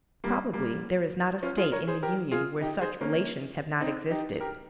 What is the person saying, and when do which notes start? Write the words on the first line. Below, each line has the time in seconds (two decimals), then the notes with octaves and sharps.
Probably there is not a state in the Union where such relations have not existed.
0.24 G3 A#3
0.53 G3 A#3
1.43 C#4 F4
1.57 F4 G#4
1.72 A#4 C#5
1.87 G#4 C5
2.03 G4 A#4
2.31 F4 G#4
2.61 D#4 G4
2.81 G#4 C5
3.01 A#3 C#4
3.80 C4 D#4
4.10 D#4 G4
4.40 G4 A#4